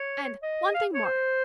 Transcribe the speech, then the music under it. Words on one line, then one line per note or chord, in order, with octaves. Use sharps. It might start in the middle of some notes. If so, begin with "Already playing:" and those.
And--one thing more!
Already playing: C#5
D#5
F5
C#5
C5